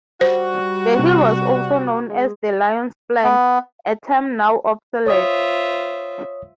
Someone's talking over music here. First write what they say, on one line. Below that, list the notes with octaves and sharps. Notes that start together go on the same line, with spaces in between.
The hill was also known as "The Lion's Flank", a term now obsolete.
G3 F#4 C5
C3
G#3
B3
F4 C5 C#5 E5 D#6